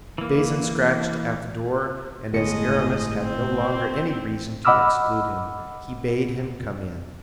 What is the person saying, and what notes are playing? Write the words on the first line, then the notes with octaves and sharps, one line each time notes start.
Bazin scratched at the door, and as Aramis had no longer any reason to exclude him, he bade him come in.
E3 A#3
G1 A2 G#3 D#5 C#7
C4
D#5 F#5 B5 D6 E6 F6